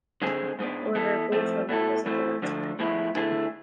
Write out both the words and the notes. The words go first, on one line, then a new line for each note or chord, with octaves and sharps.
However, both were members of the Nazi party.
D3 G#3 C4 G#4
G#2 G#3 B3 D4
E3 B3 E4 A4
A2 F3 A3 C4
B2 A3 E4 A4
G#2 E3 A3 C4
D3 F3 A3 D4
A2 F3 G#3 B3 E4
D3 A3 E4 G#4